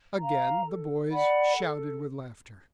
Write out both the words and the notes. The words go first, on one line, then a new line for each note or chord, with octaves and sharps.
Again the boys shouted with laughter.
F5 A#5
A4
D5 F#5 B5
A4